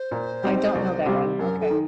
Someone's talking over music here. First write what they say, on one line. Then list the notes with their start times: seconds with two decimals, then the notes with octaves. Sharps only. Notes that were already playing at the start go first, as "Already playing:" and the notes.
I don't know that one, okay.
Already playing: C5
0.11 A#2
0.43 G3 C4 D#4
0.75 C2
1.06 C3 G3
1.39 F#2 A#4
1.60 A4
1.70 D#3